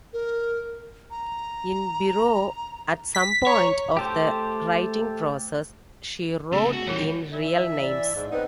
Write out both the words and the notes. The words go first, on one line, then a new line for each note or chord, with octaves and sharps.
In biro, at some point of the writing process, she wrote in real names.
A#4
A#5
B6
C#5 A#5
A3 G4 A4 C5
C#3 A3 B3 G#4
F#4
E2 G3 E4 A#4 C#5
E3 D4 E5
D5
G#2
B3 C4 D#4 B4